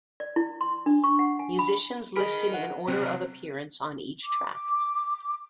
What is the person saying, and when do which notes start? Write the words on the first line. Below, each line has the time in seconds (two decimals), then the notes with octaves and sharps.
"Musicians listed in order of appearance on each track".
0.20 D5
0.36 E4
0.61 C6
0.86 D4
1.04 C#6
1.19 F#5
1.39 G#5
1.59 B5
2.16 G#4 A#4 D#5 B5
2.54 F#5
2.88 C3 F#3 C4
4.24 D6